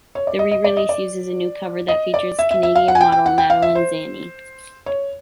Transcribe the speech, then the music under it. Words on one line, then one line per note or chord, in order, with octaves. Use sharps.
The re-release uses a new cover that features Canadian model Madaline Zanni.
C#5
D5
D#5
D#5
D5
D#5
D5
D#5
D5
E5
E5
E5
F5
F#5
G#5
G5
G5
F#5
G5
F5
E5
C5
C#5